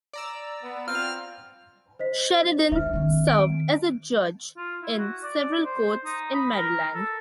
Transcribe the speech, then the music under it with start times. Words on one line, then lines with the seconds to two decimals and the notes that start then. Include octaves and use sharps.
Sheredine served as a judge in several courts in Maryland.
0.13 D5 A#5 E6
0.63 B3
0.88 C4 F4 F6
1.99 C5 D#5 B6
2.72 D4 E5 F6
2.93 D#3 C4
3.28 D7
4.57 F4
4.82 E4
4.98 F#4
5.23 D5
5.65 C5
6.05 D#4
6.34 B5
6.56 A#4
6.94 A4